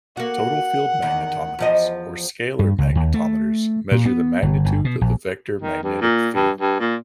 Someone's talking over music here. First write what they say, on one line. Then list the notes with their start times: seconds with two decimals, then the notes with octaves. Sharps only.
"Total field magnetometers" or "scalar magnetometers" measure the magnitude of the vector magnetic field.
0.17 A#3 F#4 F#5
1.02 E2 D#3
1.59 E2 F3 D#5
2.59 G2
2.78 C#2
2.95 D#2
3.14 A3
3.91 A#2
4.05 B3
4.42 G1
4.65 G1
4.85 B2
5.01 A#1
5.62 D#3
5.83 G2
6.01 A#2
6.35 G2
6.61 G2
6.80 A#2